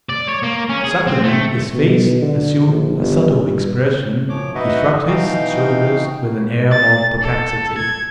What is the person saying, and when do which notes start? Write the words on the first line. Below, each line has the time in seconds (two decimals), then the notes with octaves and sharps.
Suddenly his face assumed a subtle expression, he shrugged his shoulders with an air of perplexity.
0.09 D5
0.29 C#5
0.43 A#3
0.70 C#4
0.84 G#4
1.07 C4
1.24 A3
1.73 B2
2.22 D3
2.65 A#1
2.97 G1
3.35 G2
4.29 F#2 F3 C#5 D6
4.55 D#4 F#4 B4 D#5 E5 F#5
5.07 B2 E3 D#4 F#4 F5 G5
6.71 A6
7.21 A4
7.78 G#6